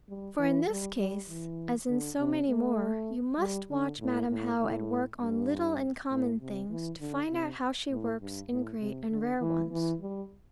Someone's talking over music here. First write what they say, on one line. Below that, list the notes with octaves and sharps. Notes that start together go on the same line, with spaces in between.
For in this case, as in so many more, you must watch Madam How at work on little and common things, to find out how she works in great and rare ones.
G3
E3
G3
G3
E3
D3
C3
A3
G3
D3
A2
A2
A2
G2
A2
C3
E3
D3
C3
A2
G2
A2
C3
D3
E3
E3
G3